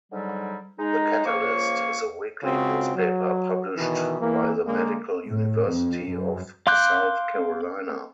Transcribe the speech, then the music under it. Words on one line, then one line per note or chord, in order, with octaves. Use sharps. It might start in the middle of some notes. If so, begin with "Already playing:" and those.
"The Catalyst" is a weekly newspaper published by the Medical University of South Carolina.
G#2 D3 F#3 G3
G#3 D#4
C#2 F3 A#3 C#5 F5 C#6
C#2 C#3 C4 F#4
F#3
B2 D#3 E3
E2 E3 A#3
D3 G#3 A#3
A2
F2
F#2
F5 C6 D6 F#6 G6